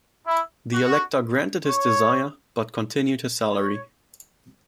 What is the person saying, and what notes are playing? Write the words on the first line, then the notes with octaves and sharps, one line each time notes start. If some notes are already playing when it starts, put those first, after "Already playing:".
The elector granted his desire, but continued his salary.
E4
F#4
C#5
C#5